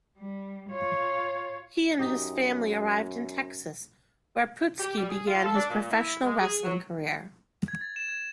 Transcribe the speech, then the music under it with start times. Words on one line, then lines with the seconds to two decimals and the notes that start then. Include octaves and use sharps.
He and his family arrived in Texas, where Putski began his professional wrestling career.
0.18 G3
0.72 F4 C#5
1.99 F#2 D#4 G4
4.78 G4
4.96 G3
5.09 G#4
5.27 F4
5.44 A4
5.55 D4
5.69 A#2
5.91 E4
6.23 G#3
6.40 G#4
6.63 F#3
7.68 G#6
7.81 A6
7.96 E7
8.08 G#6